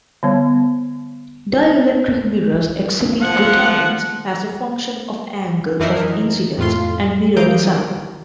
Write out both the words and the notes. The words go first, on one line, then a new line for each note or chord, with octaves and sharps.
Dielectric mirrors exhibit retardance as a function of angle of incidence and mirror design.
D3 G3 B3 C#5
F3 F#5
F#2 E3 D#4 E4 A#4 C7
F2 A2 F4 C6
E3 A#4 F5 D#6 G6 D7